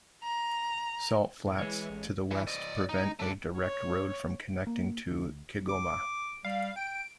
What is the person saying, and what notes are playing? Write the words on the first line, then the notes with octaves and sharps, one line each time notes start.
Salt flats to the west prevent a direct road from connecting to Kigoma.
A#5
A2
E3 G#3 C#5
A1
E3
D5 D#5
D#4
A3 D4
C#5
A#3
D2
D6
G3 F5
G5 D7